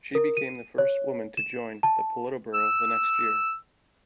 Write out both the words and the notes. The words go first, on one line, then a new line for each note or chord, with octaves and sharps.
She became the first woman to join the Politburo the next year.
A#4
D#7
C#5
E7
A5
E6